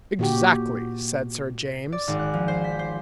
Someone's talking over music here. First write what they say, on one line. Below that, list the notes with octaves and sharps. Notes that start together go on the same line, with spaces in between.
"Exactly," said Sir James.
A#2 F#4 G4
D5
G#1
F#6
F3
C5
B6
C5